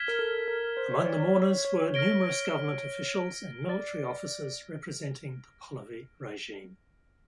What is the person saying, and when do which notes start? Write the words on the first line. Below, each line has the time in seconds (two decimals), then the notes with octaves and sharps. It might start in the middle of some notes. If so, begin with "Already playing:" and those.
Among the mourners were numerous government officials and military officers representing the Pahlavi regime.
Already playing: F6 G#6 B6 E7 G7
0.08 A#4
0.19 A4
0.48 A#4
0.77 C5
0.92 C#5
1.06 D5
1.21 C#5
1.36 C#5
1.65 C#5
1.94 C#5 F6 A#6 D7 G7
3.69 D5